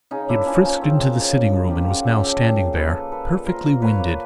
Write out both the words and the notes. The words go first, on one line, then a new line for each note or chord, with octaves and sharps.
He had frisked into the sitting-room, and was now standing there: perfectly winded.
C#3 C#4 D#4
A#3 D4 E4
F3 C#4 D#4
F3 C#4
C#3 C4
A#3 C#4
C#3
C#3
C#3
F3 F4 G4
C#3 F#4 G#4
C#3 G4 A4
C#3 G4 A4
A#2 G#4 A#4
F3
A#3 A4 B4
A#3
A#3 A4 B4
A#2
A#2 A#4 C5
A#3
A#2 B4 C#5
A#3